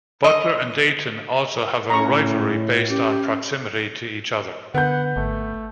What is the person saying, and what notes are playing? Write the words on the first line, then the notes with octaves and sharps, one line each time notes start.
Butler and Dayton also have a rivalry based on proximity to each other.
D#5
A2 C#4 A#5 C#6
C#4 G4
D3 B3 F#5 G6
G#1 A3